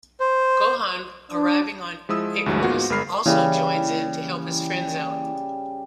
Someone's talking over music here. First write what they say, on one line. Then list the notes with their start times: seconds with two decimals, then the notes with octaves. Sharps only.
Gohan, arriving on Icarus, also joins in to help his friends out.
0.20 C5
1.31 D4
2.09 F3 G#3 E4 D#6 E6
2.46 D2 G2 E3 F#3 G#3
2.63 G#2 A#3 B3 F4 F#4
2.90 G1 G#3 A#4 B5 F6 C7
3.26 C#3 E3 G3 A#3 E4